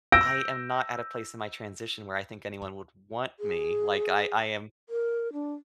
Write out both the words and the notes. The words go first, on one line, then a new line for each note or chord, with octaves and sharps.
I am not at a place in my transition where I think anyone would want me. Like I I am
E6 G6 A#6 D7
G#4
A#4
D4